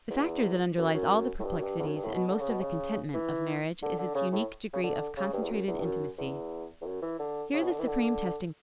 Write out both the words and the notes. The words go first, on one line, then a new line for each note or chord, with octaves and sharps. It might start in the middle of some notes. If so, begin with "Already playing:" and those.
The factor that underlies all the perplexities, and most of the contentment, of marriage is its unique degree of concentrated intimacy. Here the supreme testing always comes.
E2
F#2
F#2
A2
G2
F#2
G2
E2
F#2
G2
A2
B2
D3
C#3
B2
C#3
E3
D3
D3
C#3
A2
C#3
D3
C#3
G2
E2
F#2
E2
G2
F#2
E2
E2
F#2
E3
D3
C#3
B2
D3
E3
D3